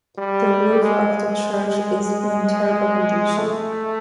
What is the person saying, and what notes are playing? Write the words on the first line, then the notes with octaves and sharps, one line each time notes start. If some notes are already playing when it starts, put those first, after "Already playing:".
The roof of the church is in terrible condition.
G3
G#3
A3